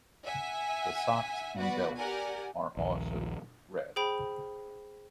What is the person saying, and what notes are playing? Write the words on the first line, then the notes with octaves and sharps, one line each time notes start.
The socks and belts are also red.
E5 F#5 G#5
B3 F#4 B4 D5 F#5
G4 A#4 D5 F#5 G#5
A#1 D#2
G#4 C5 G5 B5 F7